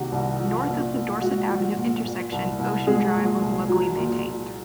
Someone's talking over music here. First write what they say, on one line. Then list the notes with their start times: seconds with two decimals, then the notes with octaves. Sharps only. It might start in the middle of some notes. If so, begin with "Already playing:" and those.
North of the Dorset Avenue intersection, Ocean Drive was locally maintained.
Already playing: C2 C3 D#3 A#3 F#4
0.12 C2
0.40 F3
0.67 A#2
0.94 A#2
1.22 G#3 F#4
1.49 F3
1.77 A#2
2.04 A#2
2.32 C2
2.59 C2
2.87 G#3 G#4
3.14 A#2
3.42 C2
3.69 F#3
3.97 A#2
4.24 A#2